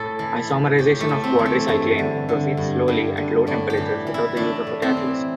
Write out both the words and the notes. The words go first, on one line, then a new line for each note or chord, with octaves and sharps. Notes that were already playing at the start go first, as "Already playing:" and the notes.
Isomerization of quadricyclane proceeds slowly at low temperatures without the use of a catalyst.
Already playing: A2 A4
E3
E3
A2 G4
A3
A2
C4
E3
A3
G2 A3
D3
D3
G2
G2
D3
A2 D4
G4
E3
E3
E4
A2 D4
A2
C4
E3